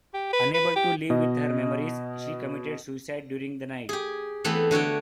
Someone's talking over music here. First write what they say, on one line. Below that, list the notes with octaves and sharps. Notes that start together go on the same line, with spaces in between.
Unable to live with her memories, she committed suicide during the night.
G4
B4
B4
G4
B2 D#5
G4 G#4
E3 A3 B3 C4
D3 F#4 C#5 G5